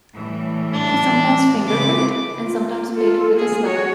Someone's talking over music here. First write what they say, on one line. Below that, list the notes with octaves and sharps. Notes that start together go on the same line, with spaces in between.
He sometimes fingerpicked and sometimes played with a slide.
A2 E3 G3
D4
G#3
C#3 C4 B4 D6
F4
F4 A4
A#3 G#4
F#4 C#5